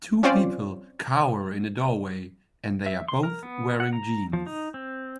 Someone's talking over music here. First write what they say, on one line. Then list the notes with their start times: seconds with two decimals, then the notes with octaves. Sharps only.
Two people cower in a doorway and they are both wearing jeans.
0.23 C4 C#4 F4 C5 D5
2.86 E5
3.08 C6
3.23 A#4
3.43 B3
3.80 F#5
3.93 A#5
4.33 F3
4.46 D#4
4.74 C4